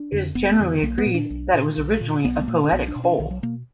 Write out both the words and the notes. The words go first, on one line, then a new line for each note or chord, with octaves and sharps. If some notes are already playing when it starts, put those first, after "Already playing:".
It is generally agreed that it was originally a poetic whole.
Already playing: D4
F2 D3
F1 B3
F2 D3
B1 A#3
B3
A#2
D4
B1
A#2
B1
A#2
B1 B3
G#3
A#2 A#3
D4
B1 B3
D4
B2
D4
B1 D#3
F#3
B2 A#3